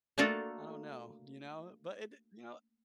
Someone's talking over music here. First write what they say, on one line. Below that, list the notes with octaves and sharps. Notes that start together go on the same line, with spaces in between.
I don't know." You know? But it d you know
A3 A#3 D4 F4 F#4 A4